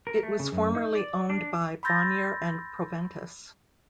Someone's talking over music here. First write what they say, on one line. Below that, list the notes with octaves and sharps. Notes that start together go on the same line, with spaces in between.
It was formerly owned by Bonnier and Proventus.
A#4
A3
C#3
F#2
D#4
D5
D4
B5 C6 E6 G6 A6 A#6